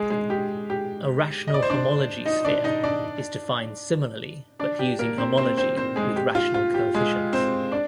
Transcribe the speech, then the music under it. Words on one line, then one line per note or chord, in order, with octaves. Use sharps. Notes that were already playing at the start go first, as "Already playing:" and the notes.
A rational homology sphere is defined similarly but using homology with rational coefficients.
Already playing: G#3 G#4
G#3 G#4
G4
G4
D#5
D5
C5
D4 D5
D#4 D#5
D4 D5
D#4 D#5
D4 D5
D4 D5
G4
A#3 A#4
C4 C5
C4 C5
C4 C5
C4 C5
G#3 G#4
G4
F4
F4
G4
G#3 G#4
C4 C5
D4 D5